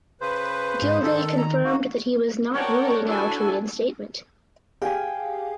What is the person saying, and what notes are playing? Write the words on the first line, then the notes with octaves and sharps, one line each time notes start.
Gilday confirmed that he was not ruling out reinstatement.
C#3 B4 C5
G#2
D#3 A4
A#5
A#3 D#4 F#4
A#4 C#5 D5 F#5 G5 A5
D4 E4 F#4 A4 G#5
G4 G#4 F5 G5 G#5